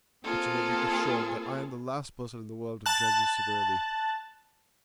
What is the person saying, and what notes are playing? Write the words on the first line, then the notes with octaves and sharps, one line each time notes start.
But you may be assured that I am the last person in the world to judge you severely.
A#3 C4 F4 G#4 A4
A5 F#6